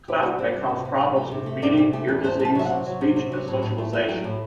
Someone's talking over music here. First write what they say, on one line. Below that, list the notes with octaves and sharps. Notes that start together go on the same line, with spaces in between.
Cleft may cause problems with feeding, ear disease, speech and socialization.
C3 G4
G3 F#4
C4 G4
C3
C3
C3
C3
A3
C3
A3
C3 D5
C3 G4
A3 G4
E2 B4
A3 C5
C3
A5
F#3 E5
F#5
C3
F#3
C3
C3
F#3
A2
A2
A3
A3
F#3 G5
A2